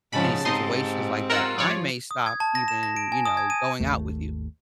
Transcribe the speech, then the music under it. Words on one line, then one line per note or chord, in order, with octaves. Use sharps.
many situations like that, I may stop even, you know, going out with you,
G#2 C#3 F3 C#4 A5 B5
G#2 C4 D#4 G4 A4 D#5 C6
F4 A#4 F#5 E6
F3 C#5 D5
D#6
G#6
A5
A#6
E7
A#6
D7
G#5
D#6
G#6
D#7
G#1 D#2 A3